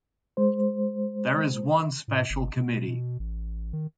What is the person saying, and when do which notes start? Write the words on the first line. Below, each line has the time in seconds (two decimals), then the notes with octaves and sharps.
There is one special committee.
0.37 G#3 C5
2.08 A2
2.30 G1
2.57 B2
2.88 B2
3.19 A1
3.73 D#3